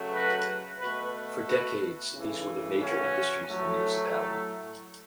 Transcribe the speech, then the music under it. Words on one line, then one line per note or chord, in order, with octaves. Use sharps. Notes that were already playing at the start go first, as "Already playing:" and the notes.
For decades these were the major industries in the municipality.
Already playing: C#3 F#3 A3
F#4 B4
B2 A3 F#4 B4
F#4 B4
C#3 E3 A3
C#4 F#4
A2 F#3 A3